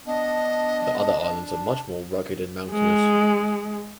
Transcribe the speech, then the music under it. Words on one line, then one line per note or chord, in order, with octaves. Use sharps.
The other islands are much more rugged and mountainous.
B3 D4 D#5
G#3